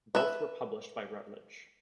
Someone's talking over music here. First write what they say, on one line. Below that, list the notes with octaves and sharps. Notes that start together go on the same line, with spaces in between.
Both were published by Routledge.
B4 E5